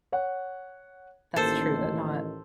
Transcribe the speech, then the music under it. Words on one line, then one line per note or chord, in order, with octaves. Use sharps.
that's true that not
C#5 F#5
A1 D#3 A#3 A4 C5